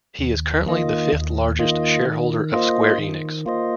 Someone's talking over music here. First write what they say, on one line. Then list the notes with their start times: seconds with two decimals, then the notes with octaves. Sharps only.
He is currently the fifth largest shareholder of Square Enix.
0.19 D#2
0.66 D#3 A#3 F4 D#5
1.12 D#2
1.59 D#3 A#3 F4 D#5
2.06 D#3
2.52 A#3 F4 C5 D#5
2.99 D#3
3.46 A#3 F4 C5 D#5